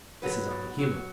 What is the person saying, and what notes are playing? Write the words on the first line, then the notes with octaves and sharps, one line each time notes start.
This is only human.
F#3 B4
B2
F#3